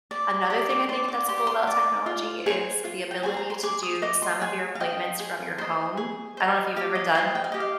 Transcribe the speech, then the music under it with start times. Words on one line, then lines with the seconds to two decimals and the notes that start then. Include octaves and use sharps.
another thing I think that's cool about technology is the ability to do some of your appointments from your home. I don't know if you've ever done
0.11 D5
0.50 G4 D#6
0.70 D6
0.89 D5 C6
1.08 D6
1.28 G4 C6
1.38 D6
1.47 C6
1.67 D5 D6
2.06 F4
2.46 G#4 C5
2.85 F4
3.11 G5
3.23 G#4 C5 G#5
3.37 A#5
3.50 C6
3.63 G#4 D6
3.83 D#6
4.02 D#5 D6
4.22 C6
4.41 G#4 G#5
4.75 F5
4.80 D#5 G5
5.19 G#4
5.58 C5 D#5
5.97 G#4
6.37 C5 D#5
6.76 G4 F5
6.95 D#5
7.15 C5 D#5 G5
7.35 G5
7.44 F5
7.52 G4 D#5
7.60 F5